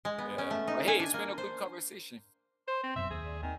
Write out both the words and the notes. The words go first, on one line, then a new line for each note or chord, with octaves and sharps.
Yeah. But hey, it's been a good conversation.
G#3
B3
C#4
A3
D#4
G#5
D4
A#3
C5
C5 C6
C4
F#1 F#2 B2 E5
D#2 G#4
D5
D#2 D#3 C4 G#5